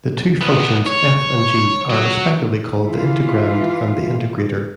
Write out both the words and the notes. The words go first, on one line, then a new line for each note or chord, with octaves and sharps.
The two functions "f" and "g" are respectively called the integrand and the integrator.
C2 B3
C#5
F#3 F#4
E3 E4 F4